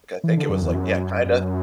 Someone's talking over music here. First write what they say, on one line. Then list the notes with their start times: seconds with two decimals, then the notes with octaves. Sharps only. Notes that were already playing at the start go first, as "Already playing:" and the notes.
I think it was, like yeah, kinda
0.24 E3
0.37 D3
0.49 F#2
0.62 E2
0.74 F#2
1.26 F#2